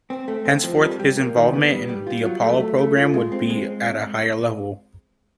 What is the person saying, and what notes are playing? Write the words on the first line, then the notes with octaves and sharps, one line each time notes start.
Henceforth his involvement in the Apollo program would be at a higher level.
C4
A3
C4
F3
G3
G3
A#3
D#3
B3
G3
G3
F4
F#3
A3
A3
A3
F4
G#3
C4
G#3